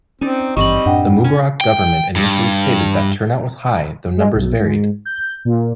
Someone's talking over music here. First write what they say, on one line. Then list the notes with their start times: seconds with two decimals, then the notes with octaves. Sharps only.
The Mubarak government initially stated that turnout was high, though numbers varied.
0.21 C4 C#4 D#4 D5
0.57 G#1 G2 E3 G3 C4 D#5 C#6 F#7
0.86 F#2 A2 D4 F#5 G5
1.24 C#4
1.61 G5
2.16 G2
4.17 G#3
4.35 B1
4.60 G#2
5.05 G6
5.45 A#2